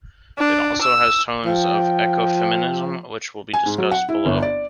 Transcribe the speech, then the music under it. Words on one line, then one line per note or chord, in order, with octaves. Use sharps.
It also has tones of ecofeminism, which will be discussed below.
D4
E6
F3 G5
G#5
G#2
F#3
F#5
E4
G1
D5